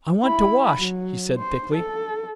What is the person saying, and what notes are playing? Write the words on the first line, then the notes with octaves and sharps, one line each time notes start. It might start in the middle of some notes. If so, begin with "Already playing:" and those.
"I want to wash," he said, thickly.
E4 B5
F#3
C5
A4